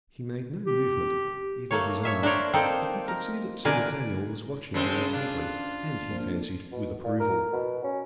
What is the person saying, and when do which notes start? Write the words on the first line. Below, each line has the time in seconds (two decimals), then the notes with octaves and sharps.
He made no movement, even of his eyes, but he could see that Sir Nathaniel was watching him intently, and, he fancied, with approval.
0.65 G4
1.71 A3 A#3 C#5
2.03 C#5 E5 F5
2.23 D4 A#4 C5 C#5
2.53 A#3 C4 D#4 A4 C5 G5
3.08 A#4
3.65 A#2 D3 E3 A#4 D5 G#5
4.74 F#2 C#3 G#3 C4 A4
5.13 D4 F4
6.10 A#1
6.72 B2
7.04 A#2
7.20 A#4
7.53 B2
7.84 C#4